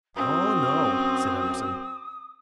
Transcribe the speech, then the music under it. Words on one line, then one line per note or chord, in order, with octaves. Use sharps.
"Oh no," said Emerson.
F#2 C4 D#6